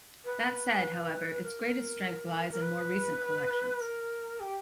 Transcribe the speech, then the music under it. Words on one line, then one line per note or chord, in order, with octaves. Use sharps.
That said, however, its greatest strength lies in more recent collections.
B4
A#4
A#4
B4
A#4
G4